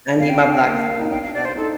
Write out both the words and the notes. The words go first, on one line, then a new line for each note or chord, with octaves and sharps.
I need my blocks to be, like
C4 F5
G5
D4 F5
G5
F5
A#3
G5
F5
A#3
D#4
D4 G5
F5
D5
C5
D#4 A4